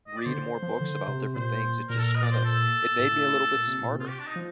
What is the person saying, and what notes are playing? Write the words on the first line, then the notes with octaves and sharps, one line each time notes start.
read more books about different things, it just kinda it made me a little bit smarter
D#5
D5
D3 C5
F3
D3
C3
C3
A#2 C5
A#2 A#4
A4
A#4
D#5
D5
C5
A4
A2
A#2
C3
A#2
C3
F4
G4
D4
D#4
F3